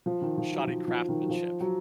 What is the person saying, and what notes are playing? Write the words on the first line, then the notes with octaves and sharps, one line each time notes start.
shoddy craftsmanship.
F3
D#3
F3
F#3
F3
F3
D#3
F#3
F3
F#3